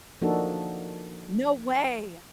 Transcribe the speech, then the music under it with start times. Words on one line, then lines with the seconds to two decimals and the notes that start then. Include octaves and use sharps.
No way!
0.21 F3 A#3 D4 D#4 F#4 A4